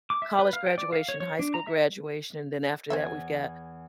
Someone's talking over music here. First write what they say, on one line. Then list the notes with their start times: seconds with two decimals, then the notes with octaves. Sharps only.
college graduation, high school graduation, then after that, we've got
0.10 D6
0.22 E5
0.39 B4
0.53 F5
0.66 G5
0.78 D5
0.93 F5
1.09 C#5
1.20 C#5
1.39 D4
1.54 A#5
1.67 E5
2.90 E2 C5 C#5 E5 G#5